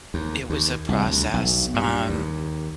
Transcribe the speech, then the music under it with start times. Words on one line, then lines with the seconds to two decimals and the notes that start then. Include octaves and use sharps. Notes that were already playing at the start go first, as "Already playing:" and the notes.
It was a process, um
0.14 D#2
0.50 D#2
0.89 C2
1.06 D2
1.34 B1
1.74 G2
2.09 D#2